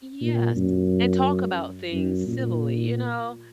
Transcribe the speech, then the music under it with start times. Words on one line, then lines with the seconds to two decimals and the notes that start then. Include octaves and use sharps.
Yes, and talk about things civilly, you know,
0.22 A#2
0.56 F#2
1.93 F#2
2.27 A#2